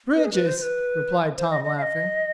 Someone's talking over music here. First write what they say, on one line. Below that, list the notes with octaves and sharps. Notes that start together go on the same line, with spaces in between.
"Bridges," replied Tom, laughing.
B4
G#4
B4
C5
C5
B4
C5
D#5
D#5
F5
D#5